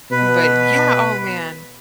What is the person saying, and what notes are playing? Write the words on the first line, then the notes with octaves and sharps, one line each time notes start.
But yeah, oh, man.
B2 B4